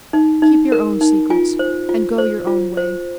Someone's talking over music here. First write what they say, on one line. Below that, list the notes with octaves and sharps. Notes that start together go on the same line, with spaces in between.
Keep your own secrets, and go your own way.
D#4
D#4
A#4
D#4
F4 G#5
C5
F4
C5
F4
C5